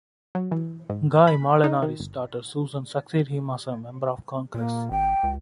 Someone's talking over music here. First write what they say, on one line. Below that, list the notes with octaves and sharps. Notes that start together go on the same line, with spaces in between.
Guy Molinari's daughter Susan succeeded him as a member of Congress.
F#3
E3
G#2
B5
D#4
D#3
G1
A#2 A#3
G#1 G5
C#2